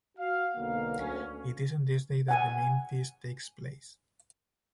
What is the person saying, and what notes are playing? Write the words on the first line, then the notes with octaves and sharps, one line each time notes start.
It is on this day that the main feast takes place.
F#4 F5
B1 D3 A#3 B3 A#4 F5
D2 C#4
F#5 G#5